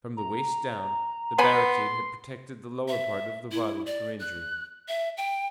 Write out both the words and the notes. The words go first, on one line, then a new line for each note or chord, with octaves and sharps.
From the waist down, the barricade had protected the lower part of the body from injury.
A#5
B3 B4 G#5 B5 C6
E5
E4
D5
F#6
E5
G5